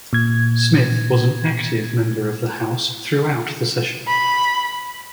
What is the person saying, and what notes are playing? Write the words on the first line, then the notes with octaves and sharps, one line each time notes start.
Smith was an active member of the House throughout the session.
A#2 G#6
B5